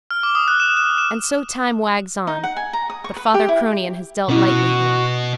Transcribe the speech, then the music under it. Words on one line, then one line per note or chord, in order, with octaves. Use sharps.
And so time wags on: but father Cronion has dealt lightly here.
F6
D6
D#6
F#6
E7
F#6
E7
D#4
F#5
G#5
A#5
D#6
C#6
B4
G4
E4
B2 B3 C#4 E4 F#4